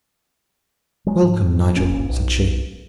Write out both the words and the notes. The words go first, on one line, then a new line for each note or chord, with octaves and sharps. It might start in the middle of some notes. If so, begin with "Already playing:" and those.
"Welcome, Nigel!" said she.
F#3 G#3
G#2
D1 G1 A#2 C#4
B1